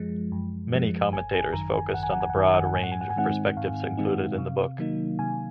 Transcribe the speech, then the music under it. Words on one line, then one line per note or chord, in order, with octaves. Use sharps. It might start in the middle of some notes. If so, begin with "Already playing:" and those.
Many commentators focused on the broad range of perspectives included in the book.
Already playing: F#2 F3 G#3
F#2
F3 G#3
G#1 G#5
G#5
F#2 D#3 A#5
G#5
G#1 F#5
G#5
F#5
G#5
F#5
F#2 D#3 G#5
F#5
G#5
F#5
G#2 G#5
F#5
G#5
F#5
G#5
D#3 G#3 C4 D#4 F#5
G#2 F5
D#3 G#3 C4 D#4
C3
D#3 F#3 A#3 D#4
C3 G#5